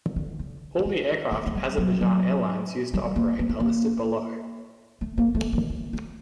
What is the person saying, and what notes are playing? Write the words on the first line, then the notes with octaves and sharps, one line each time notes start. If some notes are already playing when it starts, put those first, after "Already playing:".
All the aircraft Azerbaijan Airlines used to operate are listed below.
D3
D3
A3
A3
A3
G3
F#3
F#3
G3
A#3
A#3
A3
A#3
A3
A#3
A3
A#3
A#3
A3